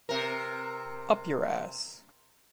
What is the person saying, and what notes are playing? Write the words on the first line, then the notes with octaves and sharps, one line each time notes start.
Up your ass!
C3 A#4